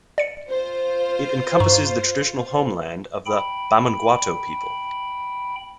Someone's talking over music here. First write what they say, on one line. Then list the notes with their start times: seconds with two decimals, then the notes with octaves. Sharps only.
It encompasses the traditional homeland of the Bamangwato people.
0.18 D5 C#7
0.50 F4 C5
1.60 G2 A#5 C#6
3.26 G5 B5